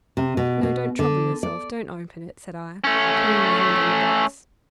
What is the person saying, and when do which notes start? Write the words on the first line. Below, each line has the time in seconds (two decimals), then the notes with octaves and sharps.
"No, don't trouble yourself--don't open it," said I, putting my hand on the box.
0.17 C3
0.37 B2
0.63 B2
0.99 D3
1.43 D5
2.84 A3 C#4